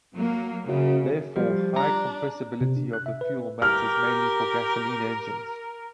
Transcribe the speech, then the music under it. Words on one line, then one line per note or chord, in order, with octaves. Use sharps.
Therefore, high compressibility of the fuel matters mainly for gasoline engines.
F#3 A#3
F#2 C#3
F3 G3
D4 A#5
C3
D4
F#6
E5
B4
G4 A#4 F6